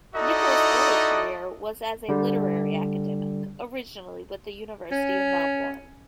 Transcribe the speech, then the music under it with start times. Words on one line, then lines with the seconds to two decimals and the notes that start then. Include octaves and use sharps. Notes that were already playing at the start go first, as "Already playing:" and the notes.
Nicholls' early career was as a literary academic, originally with The University of Melbourne.
0.15 D#4 E4 F#4 A4 D5 D#5
2.09 D3 G3
4.92 C#4